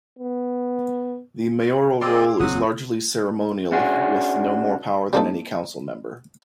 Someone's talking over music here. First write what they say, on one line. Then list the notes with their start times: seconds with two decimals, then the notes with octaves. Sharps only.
The mayoral role is largely ceremonial with no more power than any council member.
0.19 B3
2.01 C4 F4 G#4 D5 D#5 C6 D6 E6
2.40 F#1 E2 F#3 C4 F#5 D#6
3.72 C#4 D4 F#4 G#4
5.13 G3 A3 A#3 C4 D#4 A4